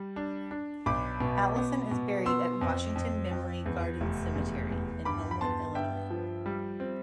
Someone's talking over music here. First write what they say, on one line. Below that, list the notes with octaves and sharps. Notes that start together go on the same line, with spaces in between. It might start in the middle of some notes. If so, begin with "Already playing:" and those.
Allison is buried at Washington Memory Gardens Cemetery in Homewood, Illinois.
Already playing: G3
D4
D4
B1 B5 D6
B2
B3
B2
B3 C6 E6
F2
F2
F2
E2
F1
E2
E2
G2 B5 D6
B5
B3 A5 C6
G2 E5 G5
F3
G3
C4